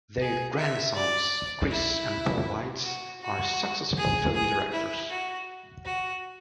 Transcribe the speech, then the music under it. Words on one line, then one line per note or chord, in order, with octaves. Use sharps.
Their grandsons, Chris and Paul Weitz, are successful film directors.
G#4
E5
D5
E4
F#4
F#4
G#4
G#4
E4
F#4
F#4